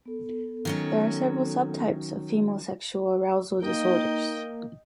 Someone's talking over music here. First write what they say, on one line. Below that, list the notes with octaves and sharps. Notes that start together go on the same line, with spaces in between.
There are several subtypes of female sexual arousal disorders.
B3 A4
D#3 F#3 C#4
A#3 D#4 D#5 G5